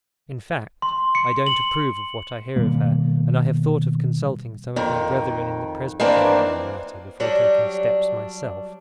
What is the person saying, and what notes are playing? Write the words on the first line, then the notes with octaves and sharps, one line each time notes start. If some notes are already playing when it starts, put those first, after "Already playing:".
In fact I don't approve of what I hear of her, and I have thought of consulting some of my brethren in the presbytery on the matter before taking steps myself.
C6
C#7
F#7
B2 D#3 G3 A#3
F2 D#3
D#3 E3 A#3 C4 D4
F#3 G3 D4